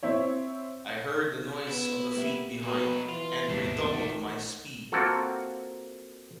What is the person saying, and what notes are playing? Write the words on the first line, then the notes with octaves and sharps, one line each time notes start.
I heard the noise of the feet behind, and redoubled my speed.
C4 E4 C#5
B3 E4
A#3 G4 E5
B2 F#3 B4
E3 F4
D#2 G#2 A3 D4
A1 D#3
A#3 C4 F4 F#4 A4